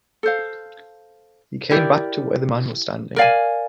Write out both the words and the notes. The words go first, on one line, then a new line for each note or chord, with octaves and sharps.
He came back to where the man was standing.
A4 C5 F5
E4 G4 A#4 D5
A#4 D5 F5 G#5